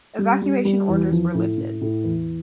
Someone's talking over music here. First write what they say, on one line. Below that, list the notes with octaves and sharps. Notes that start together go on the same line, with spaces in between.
Evacuation orders were lifted.
G3
G3
G3
E2
F3
A2
A2
A2
E2